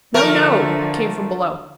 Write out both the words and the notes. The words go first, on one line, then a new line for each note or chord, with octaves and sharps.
"No, no!" came from below.
D3 F3 A3 A#4